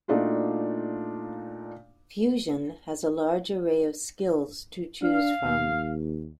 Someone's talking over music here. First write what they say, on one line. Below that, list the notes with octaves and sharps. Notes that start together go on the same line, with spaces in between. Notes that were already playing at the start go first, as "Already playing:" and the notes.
"Fuzion" has a large array of Skills to choose from.
A#2 A3 D4 D#4 F4 F#4
D4 F5
D#2